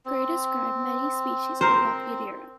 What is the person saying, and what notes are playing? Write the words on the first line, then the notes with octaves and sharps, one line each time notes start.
Gray described many species of Lepidoptera.
C4
A#4 C5